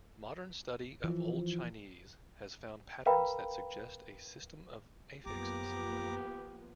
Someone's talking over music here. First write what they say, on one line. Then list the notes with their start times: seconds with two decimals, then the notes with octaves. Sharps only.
Modern study of Old Chinese has found patterns that suggest a system of affixes.
1.04 E3 F3
3.06 A#4 B4 F5 G5 A#5 B5
5.26 F#2 F3 A#3 B3 G4 A#5 D6